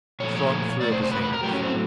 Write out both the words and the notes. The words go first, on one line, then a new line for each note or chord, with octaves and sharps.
Strong threw up his hands.
A#2 F3 A3 C#5
C#5
C3 F3 A3 D5
C5
C5
B4
B4
A#4
A2 F#3 A3 G4
C#4
C4